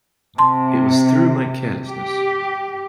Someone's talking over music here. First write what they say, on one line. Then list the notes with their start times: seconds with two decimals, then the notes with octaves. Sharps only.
It was through my carelessness.
0.38 C3 A5 C6
1.87 G4